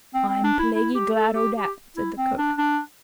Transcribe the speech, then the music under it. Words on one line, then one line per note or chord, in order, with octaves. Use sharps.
"I'm plaguy glad o' dat," said the cook.
C4
C4
D4
E4
E4
G4
A4
G4
G4
E4
C4
D4
D4